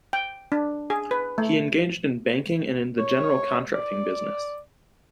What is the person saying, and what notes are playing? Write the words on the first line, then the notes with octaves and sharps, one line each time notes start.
He engaged in banking and in the general contracting business.
G5
D4
G#4
B4
A3
C#5
D5